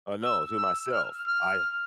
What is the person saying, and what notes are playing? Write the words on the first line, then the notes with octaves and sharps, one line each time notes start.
Oh, no, to myself, I
E6
E6
F6
F6